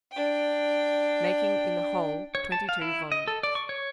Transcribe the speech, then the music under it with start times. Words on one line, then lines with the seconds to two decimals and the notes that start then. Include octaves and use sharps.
Making in the whole twenty-two volumes.
0.12 D4 G5
2.35 C#5
2.52 A5
2.69 F5
2.82 E4
3.12 D#5
3.28 A4
3.43 D5
3.55 C#6
3.69 C#5